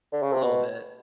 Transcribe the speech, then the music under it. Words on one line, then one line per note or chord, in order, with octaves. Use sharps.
A little bit.
D3
C#3
C3
B2